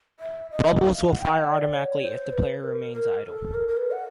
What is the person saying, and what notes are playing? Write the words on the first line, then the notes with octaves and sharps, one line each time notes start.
Bubbles will fire automatically if the player remains idle.
E5
D#5
F5
F#5
G5
F#5
D5
C#5
C5
B4
A#4
A#4
A#4
A4
A#4
A#4
B4
F#5